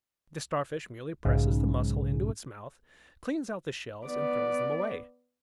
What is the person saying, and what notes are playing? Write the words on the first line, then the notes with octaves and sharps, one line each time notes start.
The Starfish merely presses the mussel into its mouth, cleans out the shells, and throws them away.
B1 G#2 C#3
B3 D5